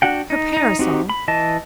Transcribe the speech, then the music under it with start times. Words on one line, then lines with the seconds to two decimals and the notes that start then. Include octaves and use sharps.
Her parasol?
0.02 D4 F#4 F#5 G5
0.30 D#4
0.57 D#4
0.79 C4 D#4 F#4 G4
1.10 B5
1.28 E3 D#5 A5